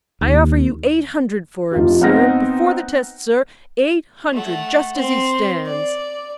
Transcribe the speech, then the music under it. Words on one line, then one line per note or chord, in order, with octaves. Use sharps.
"I offer you eight hundred for him, sir, before the test, sir; eight hundred just as he stands."
D#2
F1 F4 G4
B3 C4 D#4 F#5 F6 A#6
A3 F#5
C4 C6
D5